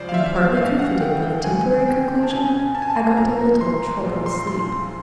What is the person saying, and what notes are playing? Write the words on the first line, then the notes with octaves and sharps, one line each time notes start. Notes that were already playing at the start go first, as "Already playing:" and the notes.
And partly comforted by the temporary conclusion, I got a little troubled sleep.
Already playing: C#2 C#3 F3 C5 D5
F5
E5
F5
A1 A2 E3 F5
F#5
G5
G5
D2 C3 D#3 G#5
G5
A5
C#2 B2 G#5
A5
G#5
A5
A#1 A2 F3 A#5
C6
A#1 A#2 F3
C6
C6